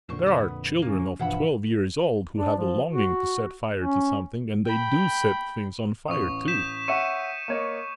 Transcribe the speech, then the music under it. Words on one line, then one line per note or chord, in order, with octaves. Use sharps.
There are children of twelve years old, who have a longing to set fire to something and they do set things on fire, too.
F2 A#2 D3 C5 C#6
B3 B5 D#6
A#3 C#4
G2 B2 E3 F3 E5 F#5 B5
D4
F3
F#4
C#4
G5 B5
A1 C#6 D#6
G6 B6 E7
C#5 E5 F#5 C#6 C#7 D#7
A#3 C#5 D#5